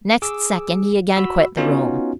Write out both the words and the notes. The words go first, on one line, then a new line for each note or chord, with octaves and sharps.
Next second he again quit the room.
G#4 D6 E6
F#4 B5 E6
B3 C#4 D#4 F4 F#4